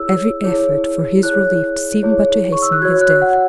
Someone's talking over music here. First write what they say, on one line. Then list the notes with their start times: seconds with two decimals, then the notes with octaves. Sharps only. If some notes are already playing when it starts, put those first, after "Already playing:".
Every effort for his relief seemed but to hasten his death.
Already playing: E4 G#4 C#5 E6
0.44 E4 G#4 C#5
1.23 E4 G#4 C#5 F#6
2.03 E4 G#4 C#5
2.52 C#6
2.62 E6
2.72 F#6
2.82 F#4 C#5 G#6
3.01 F#6
3.22 F#5